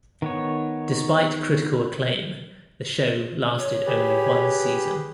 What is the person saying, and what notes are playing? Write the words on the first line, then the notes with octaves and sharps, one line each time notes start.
Despite critical acclaim, the show lasted only one season.
D#3 B3 C#5
C#5
G4 G#4 B4